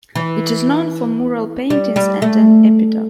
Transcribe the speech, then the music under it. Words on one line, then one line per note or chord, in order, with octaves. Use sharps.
It is known for mural paintings and an epitaph.
E3
G3
G3
A3